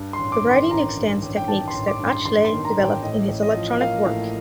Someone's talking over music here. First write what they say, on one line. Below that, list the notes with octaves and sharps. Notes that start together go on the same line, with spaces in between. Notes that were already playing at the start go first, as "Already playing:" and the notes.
The writing extends techniques that Atchley developed in his electronic work.
Already playing: G2
C6
A1
D6
D#3
C6
A1 A#5
G2
A1
G5
D#3 A5
C6
A1
D6
G2
C6
A1 C6
C6
D#3
A#5
A1
G5
A2 D#5
A1
D#5
F3
A#3 F5
A2